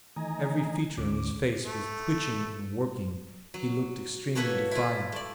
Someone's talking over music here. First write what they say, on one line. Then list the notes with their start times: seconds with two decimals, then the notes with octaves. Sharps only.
Every feature in his face was twitching and working; he looked extremely defiant.
0.16 D#3 E3 A3 D#5 G#5 A#5
0.97 D2 D3 C#4 D6
1.65 A3
3.54 F#3
4.35 A#3 F#4 A4 B4 C#5 F#5
4.71 E4 F4
5.12 A3 D5